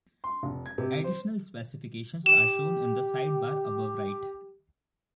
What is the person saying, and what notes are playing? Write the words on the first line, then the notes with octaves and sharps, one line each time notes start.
Additional specifications are shown in the sidebar above right.
C6
F1
G#6
C3
C5
G4 E7